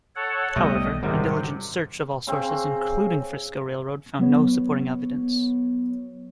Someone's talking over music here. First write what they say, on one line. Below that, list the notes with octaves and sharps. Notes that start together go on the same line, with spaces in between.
However a diligent search of all sources including Frisco Railroad, found no supporting evidence.
A4 C#5 F#5
B1 G3 A3 B3 D#5
G#1 F#2 C3 D#3 F#3 G3
C#3 C4
F#3 B3 C#5